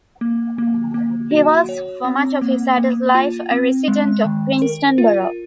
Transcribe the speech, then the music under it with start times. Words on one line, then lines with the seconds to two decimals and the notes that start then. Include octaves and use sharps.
He was, for much of his adult life, a resident of Princeton Borough.
0.21 A#3
0.58 A#3
0.94 A#3
1.31 F#4
1.69 C#5
2.05 C4
2.41 A#3
2.78 A#3
3.15 F4
3.51 C4
3.88 G#3
4.25 D#3
4.62 A#4
4.98 F4